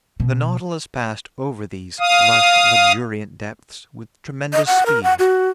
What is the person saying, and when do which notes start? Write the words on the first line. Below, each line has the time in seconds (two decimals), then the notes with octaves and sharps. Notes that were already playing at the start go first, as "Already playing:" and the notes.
The Nautilus passed over these lush, luxuriant depths with tremendous speed.
0.20 B2
2.00 F5 D#6
4.53 D#5
4.67 F#5
4.86 A#4
5.03 F#5
5.19 F#4